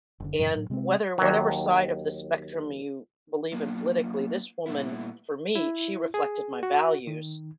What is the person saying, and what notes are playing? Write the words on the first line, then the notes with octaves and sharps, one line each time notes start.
And whether whatever side of the spectrum you believe in politically, this woman for me, she reflected my values.
F#1 D3
F#2 A#2 C#3 E3
A2 F#3
C3 G#3 B3 C4
D#2 F#3
F#3 A#3 B3 D4 F4
A#2 G3 A3 B3 E4
E4
G#4
F#4
D#3